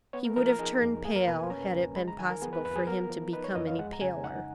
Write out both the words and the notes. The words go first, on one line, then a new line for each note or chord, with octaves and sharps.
He would have turned pale, had it been possible for him to become any paler.
B3 C#5
A#4
F3 A#4
A#4
D#4 G#4
F2
A#3 G#4
A#4
B2 B4
G#5
C#4 A#5
C#2
G#3 B5
A#5
D#3 G#5
A#4
B3 G#4
B4
F2 B4
G#4
B3 A#4
F3
D#4 B4
C#5
F2 D#5
F5
G#3 F#5
A#5
C#3 G#5
D#4 F#5